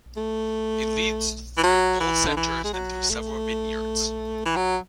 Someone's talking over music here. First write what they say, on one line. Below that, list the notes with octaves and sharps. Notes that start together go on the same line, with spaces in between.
It leads through both centres and through several vineyards.
A3
E3
F#3
E3
D3
E3
G#3
F#3
A3
E3
F#3